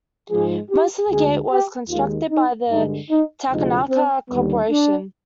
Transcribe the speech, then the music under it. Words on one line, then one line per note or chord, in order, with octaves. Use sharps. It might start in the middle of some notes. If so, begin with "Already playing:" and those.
Most of the gate was constructed by the Takenaka Corporation.
G#2 F3 G#3 G#4
G4
D2 D3 G#3 G#4
G4
D#2 D#3 G#3 F4
D#4
G2 D3 G#3 D#4
D#4
D2 C3 F3 G#3 D#4
C4
D#2 D3 G3 B3
D4